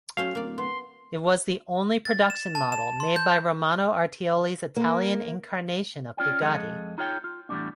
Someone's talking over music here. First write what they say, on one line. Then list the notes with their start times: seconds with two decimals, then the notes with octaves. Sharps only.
It was the only production model made by Romano Artioli's Italian incarnation of Bugatti.
0.17 F#3 A3 C#4 C5 F5
0.35 D1 A#3 D5
0.58 B3 C6
2.05 A6
2.30 E7
2.55 A5
2.72 E7
3.00 C6
3.16 G6
4.76 A#3
6.17 C#4 F4 D5 G5
6.41 F2 G#3 G#4 A4 D#5
6.98 D#4 F4 G#4 C#5 F#5 G5
7.24 F4
7.49 E2 A2 E3 G3 C#4 D4